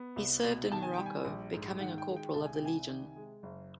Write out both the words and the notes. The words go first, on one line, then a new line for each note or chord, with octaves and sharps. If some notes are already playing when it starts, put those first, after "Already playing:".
He served in Morocco, becoming a corporal of the Legion.
Already playing: B3
C2
B2
D#3 A5
G#5
G3 G5
G#5
A#1
G#2
D#3 F#5
G5
G#3
G5
C2 A5
G#5
G5
C3 G#5
D#3
G#3
F#1